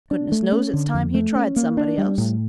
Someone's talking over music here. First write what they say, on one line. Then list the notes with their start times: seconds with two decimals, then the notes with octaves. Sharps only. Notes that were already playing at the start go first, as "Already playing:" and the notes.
Goodness knows it's time he tried somebody else.
0.11 D4
0.32 A3
0.52 C#4
0.73 D3
0.94 F2
1.14 A3
1.36 C#4
1.56 A#3
1.77 D4
1.98 G3
2.18 A2